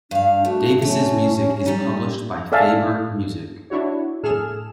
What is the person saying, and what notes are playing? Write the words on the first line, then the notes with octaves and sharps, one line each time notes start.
Davis's music is published by Faber Music.
G2 D4 F5
A3 F#4
A3 C#4
G3 D#4
A4 D5 E5 F5 G#5 A5
D4 E4 F#4 C#5
A2 G#4 A4 F6 E7